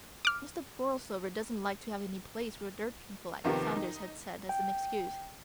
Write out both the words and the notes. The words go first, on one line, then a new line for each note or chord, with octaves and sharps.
"Mr. Borlsover doesn't like to have any place where dirt can collect," Saunders had said as an excuse.
D6 F6
D#2 C3 D#3 F3 B3
D#4
G5